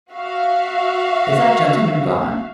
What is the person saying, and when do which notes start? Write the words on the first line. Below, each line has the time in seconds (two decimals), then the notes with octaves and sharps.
Is that gentleman gone?
0.12 F#4 E5 F5